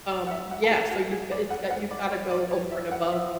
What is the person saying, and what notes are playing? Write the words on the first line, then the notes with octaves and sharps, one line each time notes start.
um yeah, so you've go it's go you've gotta go over and above,
D5
F#5
E5
F#5
A4
G#4
F#4
G#4
D5
F#5
F#5
D5
C#5
D5
C#5
E5
F#5
E5